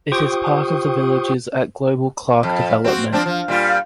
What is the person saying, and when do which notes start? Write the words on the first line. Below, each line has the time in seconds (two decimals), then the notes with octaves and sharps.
It is part of The Villages at Global Clark development.
0.12 F4 G4 C5 G5 C#6 D#6
2.43 F2
2.84 C4 F#4
3.12 F3 C4 D4
3.26 F3
3.48 A#2 G3 F4